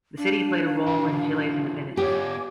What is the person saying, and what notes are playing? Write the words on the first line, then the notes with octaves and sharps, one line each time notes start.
The city played a role in Chile's independence.
D4 F5
E3 F#3
B3 F4 G4 C#5 G#5 D6